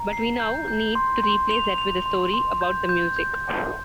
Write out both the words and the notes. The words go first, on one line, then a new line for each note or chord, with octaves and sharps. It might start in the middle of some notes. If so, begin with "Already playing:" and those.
But we now need to replace that with a story about the music.
Already playing: A#5
C7
G6
G6
C6
C6
F7
F7
C6
C6
G6
G6
G6
G6